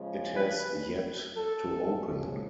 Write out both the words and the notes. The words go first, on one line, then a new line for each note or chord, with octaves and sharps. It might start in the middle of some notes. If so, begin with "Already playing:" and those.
It has yet to open.
Already playing: C#3 F3 G#3
B4
A4
C#3 F3 G#3